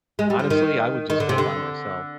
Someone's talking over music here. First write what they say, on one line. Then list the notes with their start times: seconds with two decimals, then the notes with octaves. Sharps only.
Honestly, I would just go by myself,
0.19 G#3
0.30 G3
0.39 F3
0.50 D#3
1.10 D#3
1.20 D3
1.29 C3
1.38 D3